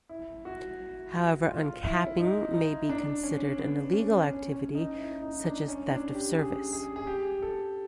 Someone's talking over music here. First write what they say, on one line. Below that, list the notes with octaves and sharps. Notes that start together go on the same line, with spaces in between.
However, uncapping may be considered an illegal activity, such as theft of service.
E4
F#4
F4
E4
D#4
D#4
D4
C#4
B3
C#4
C#4
C#4
D#4
E4
D#4
D4
C#4
D4
G4
G#4
G#4
G#4
G4
A4